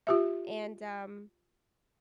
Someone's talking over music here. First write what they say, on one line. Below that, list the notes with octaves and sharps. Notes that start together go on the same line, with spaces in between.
And, um,
F4 G4 E5